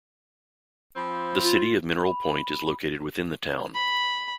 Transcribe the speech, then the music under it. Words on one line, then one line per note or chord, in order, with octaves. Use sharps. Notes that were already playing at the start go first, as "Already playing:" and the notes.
The City of Mineral Point is located within the town.
F3 C4 B5
F4
B5
B5